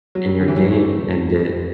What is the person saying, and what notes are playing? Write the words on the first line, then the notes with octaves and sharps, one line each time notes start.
in your game, and it
F#3
G3
D3
E3
F#3
G3
A3
G3